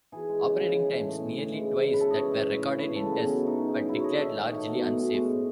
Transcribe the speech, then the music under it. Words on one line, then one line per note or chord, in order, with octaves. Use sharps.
Operating times nearly twice that were recorded in tests, but declared largely unsafe.
E3 G#4
G#3
C#3
C#3
E3
A3
A2
A2
E3
G#3
C#3
C#3
B4
E3 A4
D#5
G#3 C#5
A2 D#5
E5
A2 D#5
E3 C#5
A3 B4
C#3 A4
C#3 B3
F#3 C#4
A3 D#4
C#3
C#3 D#4
F#3 E4
A3 C#5 D#5
D#3 E5
D#3 D#5
A3 C#5
B2
A3
B2
G#3
A2